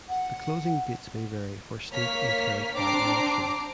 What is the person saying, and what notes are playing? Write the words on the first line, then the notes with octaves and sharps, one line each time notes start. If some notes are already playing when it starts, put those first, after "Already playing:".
The closing dates may vary for state and territory elections.
F#5
A#3 C#5 F6 B6
C4 D4 A#5 D6 C7